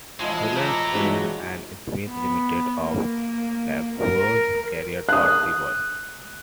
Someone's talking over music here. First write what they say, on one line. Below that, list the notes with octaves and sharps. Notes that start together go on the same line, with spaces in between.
Taylors Eayre and Smith Limited of Loughborough carried out the work.
E1 F3 G#3 E4 F4 D#5 D#7
E4 A4 E5 A#5 D6
A#2 E3 F#3 G#3 F#4
B3
A#3
A#4
D#6 F#6